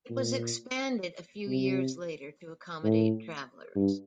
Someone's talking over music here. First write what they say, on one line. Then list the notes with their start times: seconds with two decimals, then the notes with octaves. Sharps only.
It was expanded a few years later to accommodate travelers.
0.10 A#2
1.47 C3
2.84 A2
3.75 G2